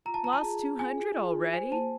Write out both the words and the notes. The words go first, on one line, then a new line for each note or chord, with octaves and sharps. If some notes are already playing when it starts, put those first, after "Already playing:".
Lost two hundred already?
F4 A#5
A5
F4 A#5
A5
G#4
G#4
G#4 G#5
G#4
F4
G#4
C5 G#5
A#3 A5